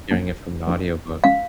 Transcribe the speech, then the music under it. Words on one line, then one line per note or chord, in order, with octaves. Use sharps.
hearing it from an audiobook.
F3 A#3 D4
F3 A#3 D4
F3 G#3 C#4 F#4 F5